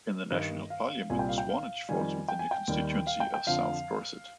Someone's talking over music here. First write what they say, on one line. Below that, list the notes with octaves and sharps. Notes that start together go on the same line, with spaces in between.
In the National Parliament, Swanage falls within the constituency of South Dorset.
G2 D#3 G3 D#5
F5
C2 A#2 G3 G#5
G5
F5
G5
F5
F2 D#3 G3 G#5
G5
G#5
G5
D#2 D#3 G3
F5
G5
G5
F2 D3 F3 F5